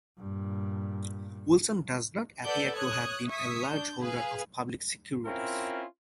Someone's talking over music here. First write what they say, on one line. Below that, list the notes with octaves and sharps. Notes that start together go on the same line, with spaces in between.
Wilson does not appear to have been a large holder of public securities.
G2 A#2
A4 B4 D5 F#5 D6 G6
C#5 D#6 F#6 G#6
E5 C#6 D#6 G#6 B6
D4 G6
G#4 B4 F5
C4 C#4 E4 F4 A#4